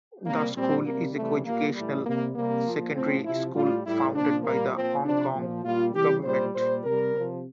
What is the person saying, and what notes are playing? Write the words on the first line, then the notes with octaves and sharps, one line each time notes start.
The school is a co-educational secondary school founded by the Hong Kong Government.
C3 G3 A#3
A#2 G3 C4
C3 G3 A#3
C3 E3 G3 A3
A#2 G3 A#3
A2 E3 G3 A3
C3 G3 A#3
C3 G3 A#3
A#2 F3
A2 F3 C4
C3 F3 E4
A2 G3 F4
A2 G3 E4
A#2 F3 D4
A#2 G3 A#3
A#2 F3 C4
C3 F3 D4
A#2 F3
A#2 G3 F4
C3 E3 G3 G4
A#2 G3 C5
A#2 G3 C5
C3 G3 A#4
C3 F3